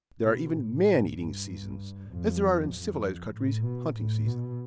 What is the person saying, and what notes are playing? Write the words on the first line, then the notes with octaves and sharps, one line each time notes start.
There are even 'man-eating seasons,' as there are in civilized countries hunting seasons.
B2
A2
G2
F2
F2
A2
B2
A2
B2